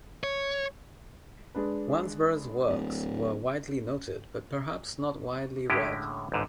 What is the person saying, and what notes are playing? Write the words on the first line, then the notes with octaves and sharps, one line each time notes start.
Wansbrough's works were widely noted, but perhaps not widely read.
C#5
G#3 D4 B4
D1
A2 D3 G#3 C#4 E4 G4
A1 G#2 D3